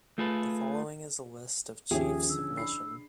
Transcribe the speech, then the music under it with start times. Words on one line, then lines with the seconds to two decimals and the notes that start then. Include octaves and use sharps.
The following is a list of chiefs of mission.
0.18 A3 F4 G#4 A4 B4
1.91 D#2 F3 C#4 G4 G#4 E5
2.29 D3 E6
2.57 D4 B5 C7